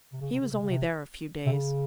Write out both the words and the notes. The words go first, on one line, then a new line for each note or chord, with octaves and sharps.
He was only there a few days.
C3
C#3
C3
C#3
C3
C#3
C3
C3
C#3